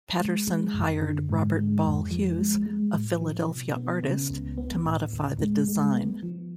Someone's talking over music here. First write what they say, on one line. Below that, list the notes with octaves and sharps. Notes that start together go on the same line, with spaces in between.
Patterson hired Robert Ball Hughes, a Philadelphia artist, to modify the design.
G#3
G#3
F#2
D3
G#2
G#3
F2
F3
G#3
G#3
A2
F3
B2
B3
C#3
C#2
B3
A2
D2
G#3
G#3
B3
F3